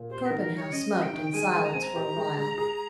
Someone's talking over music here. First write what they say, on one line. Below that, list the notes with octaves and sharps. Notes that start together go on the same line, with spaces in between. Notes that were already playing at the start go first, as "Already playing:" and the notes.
Torpenhow smoked in silence for a while.
Already playing: A#2
G4 C5
D#3 A#4
A#4
G3
C#5
C#4 D#5
G4
G5
D#3
G#3 G#5
G#3
A#5
C4 G#5
A#5
G4
G#3
G#3
G#4